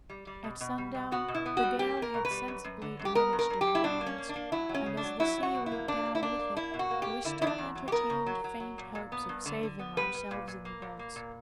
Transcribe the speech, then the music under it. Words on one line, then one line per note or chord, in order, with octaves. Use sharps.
At sundown, the gale had sensibly diminished in violence, and as the sea went down with it, we still entertained faint hopes of saving ourselves in the boats.
G3
G3
B2
B2
G3
B2
B3 F#4
B2
E4
B3
F#4
G3
A#3 G4
A#3
A#4
B2
B4
G3
F#2
F#2
D3
F#2
G4
B3 A#4
G2
A#4
G2
G4
G2
E4
B2 D4
A#3
C#4
A#3
D4
A#3
F#3 E4
F#3
C#4
C#3
D4
F#3
F#3 E4
F#3
F#4
B2
E4
A#3
A#2 D4
A#3
E4
A#3 D4
A#3
A#3 E4
B2
F#4
A#3
G4
A#3
D3 E4
E2 E4
D4
E2
F#3
G4
B3 A#4
C#3
F#3
F#3
F#3
A#2
A#2
B3
G2
D3
D3
B3
G3 B4
G3
A#2
A#2
A#3
A#2
A#3
A#2